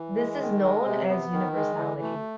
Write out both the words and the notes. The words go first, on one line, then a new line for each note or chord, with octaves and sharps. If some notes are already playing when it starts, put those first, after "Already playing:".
This is known as universality.
Already playing: E3
G#3
D#3
G#3
C3
B3
D#3
G#3
E3
A3